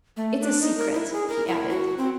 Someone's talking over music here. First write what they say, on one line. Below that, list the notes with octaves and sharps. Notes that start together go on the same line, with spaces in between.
"It's a secret," he added.
A3
D4
D#4
A#4
E4
G#4
A#4
E4
F#4
C4